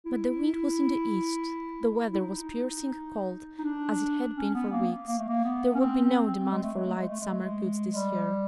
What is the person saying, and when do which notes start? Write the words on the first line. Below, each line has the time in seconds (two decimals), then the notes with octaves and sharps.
But the wind was in the east; the weather was piercing cold, as it had been for weeks; there would be no demand for light summer goods this year.
0.06 E4
2.13 E4
2.21 D#4
3.58 D#4
3.64 D4
4.36 C#4
4.55 B3
4.72 A#3
5.08 A#3
5.18 A3
5.28 A#3
5.45 B3
5.75 C#4
5.80 C4
6.04 C4
6.28 C4
6.52 G#3
6.64 A3
6.75 G#3
6.87 A3
6.98 G#3
7.09 A3
7.20 G#3
7.32 A3
7.43 G#3
7.95 G3